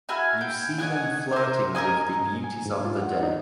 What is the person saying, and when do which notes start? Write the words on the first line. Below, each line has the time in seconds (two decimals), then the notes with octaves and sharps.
You see them flirting with the beauties of the day.
0.09 E4 F#4 G#5 F6
0.41 G5
0.78 C#5 D#5 F#5 G#5
1.32 A#4 C5
1.75 A#4 C5 D#5 G#5
2.20 G2
2.44 G#5
2.66 G#2
2.85 F4
3.01 F#5
3.22 D#4